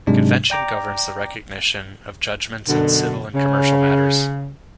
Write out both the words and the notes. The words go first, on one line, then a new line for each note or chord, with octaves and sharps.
The convention governs the recognition of judgements in civil and commercial matters.
G#2 C3 F#3 G#3 D4
D5 G5 A#5 D6
F#2 B2 D3
C#3